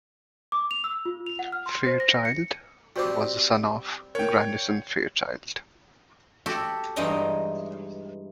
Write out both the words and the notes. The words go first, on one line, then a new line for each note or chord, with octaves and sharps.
Fairchild was the son of Grandison Fairchild.
D6
F7
E6
F4
F7
F#5
F6
C6
C5
A#6
C#7
G3 C4 F#4 C5 D6
A#4 C#5 G5
F#4 G4 A4
G2 E3 G#3 D#4 G5 A#5